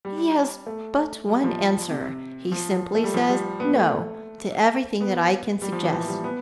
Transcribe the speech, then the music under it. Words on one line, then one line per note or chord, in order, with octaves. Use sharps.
He has but one answer--he simply says No to everything that I can suggest.
G3
A3
G3
F3
C3
F3
A3
G3
F3
G3
B3
A3
B3
G3
F3
E3
F3
G3
B3